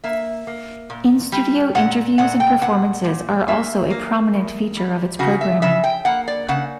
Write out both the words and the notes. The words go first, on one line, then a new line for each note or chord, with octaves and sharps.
In-studio interviews and performances are also a prominent feature of its programming.
A#3 E5
A#3
A#2
G3
A#2 F#5
A#2 F#5
G5
A#2 F#5
A#2
A#3 E5
A#3
E2
G3
C#3 F#4
E5
C#3 E5
G5
A#3 F#5
D5
C#3 F#5